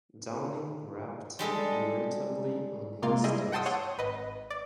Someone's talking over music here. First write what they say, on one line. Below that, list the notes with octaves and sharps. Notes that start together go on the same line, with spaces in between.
Downing rapped irritably on his desk.
G3 G#3 A4
C3 G#3 A#3 F4
G3 E4 G#4 D#5
F#5 G5 A5 C6 D#6 E6
C#5 F#5 C6 D#6
G#1 B4 D#5
D5